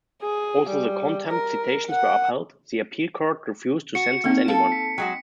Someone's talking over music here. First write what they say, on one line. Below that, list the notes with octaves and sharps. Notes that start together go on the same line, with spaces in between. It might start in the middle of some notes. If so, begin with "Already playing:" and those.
Although the contempt citations were upheld, the appeal court refused to sentence anyone.
G#4
G3
A#4
F#5
F#4 C#7
A#3 C4 C#4 D#4
A4 F5
B6
F#3 G#3 F#4 G5